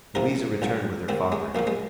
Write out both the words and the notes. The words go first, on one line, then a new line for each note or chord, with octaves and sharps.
Louisa returned with her father.
C2 C3 F3 A#4
A#1 G#2 F3
D#2 D#3 C4
G#3
A#1 A#2 F3 A#3
G#3